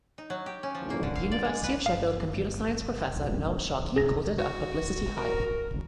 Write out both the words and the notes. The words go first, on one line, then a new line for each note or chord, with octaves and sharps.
University of Sheffield computer science professor Noel Sharkey called it "a publicity hype".
D#4
F#3
G4
C#4
F3
A#3
D3
F5
D5
G#3
B4
G1 F5
C3 G#4 A#6
F#4
A#4